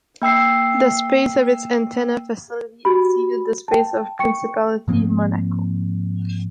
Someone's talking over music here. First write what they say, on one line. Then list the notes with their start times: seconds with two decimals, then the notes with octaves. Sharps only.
The space of its antenna facility exceeded the space of principality Monaco.
0.22 A#3 G5 E6 C7
2.85 F#4 G4 B5
3.68 G5 A5
4.19 G5 C#6 C#7
4.88 G#2 F3 A#3 C4